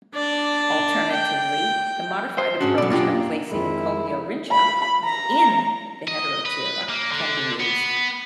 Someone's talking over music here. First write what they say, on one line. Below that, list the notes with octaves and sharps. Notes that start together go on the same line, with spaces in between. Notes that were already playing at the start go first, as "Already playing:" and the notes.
Alternatively, the modified approach of placing Coleorrhyncha 'within' the Heteroptera can be used.
D4 D5
G5
C5
G#2 C#4 D4 F#4
B2 F#3 D5
F#2 A#3 D4 F4 G4
F2 D#3 G#3 E4
B5
A#5
D#5
B4
A#3
D3
B3